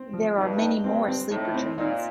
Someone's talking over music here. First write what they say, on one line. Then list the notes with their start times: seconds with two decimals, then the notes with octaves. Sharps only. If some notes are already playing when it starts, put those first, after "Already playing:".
There are many more sleeper trains.
Already playing: C4
0.13 F3
0.37 G2 D#4
0.60 D#4
0.84 G2 C4
1.08 C4
1.30 A2 D#4
1.54 C4
1.77 A#2 D#4